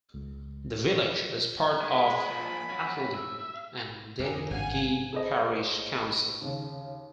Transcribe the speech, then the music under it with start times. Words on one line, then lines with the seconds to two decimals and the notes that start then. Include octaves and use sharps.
The village is part of Asheldham and Dengie Parish Council.
0.14 C#2
1.81 G#3 B5
2.28 A#2 F3
2.70 C#4 F#4
3.14 E5
4.19 F2 G4 G#4 A#4
4.51 G#1 G2 F5 F#5 G#5
5.13 G#4 A4 B4 C5 D#5
6.42 D#2 C#3